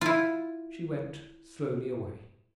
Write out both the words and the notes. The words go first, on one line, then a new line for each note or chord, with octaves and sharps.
She went slowly away.
E4 F4